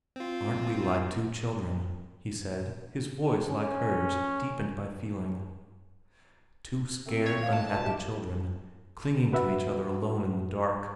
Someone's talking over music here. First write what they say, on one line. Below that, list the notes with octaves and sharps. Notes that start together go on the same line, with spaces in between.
'Aren't we like two children,' he said, his voice, like hers, deepened by feeling, 'two scared, unhappy children, clinging to each other alone in the dark.'
C4 F4
C#4
A3 A#3 C4
C#5
F5
G#3 C4 D4 A5
C#2 B2 E5
A#3 D#4 G4
F#4 B4 E5 F#5